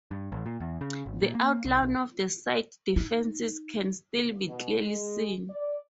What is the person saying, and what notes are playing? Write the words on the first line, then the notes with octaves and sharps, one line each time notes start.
The outline of the site's defences can still be clearly seen.
G2
A1
A#2
E2
C#3
G#1
A#2
A#3
C2
B1
D#4 E4
B2
G#3
D5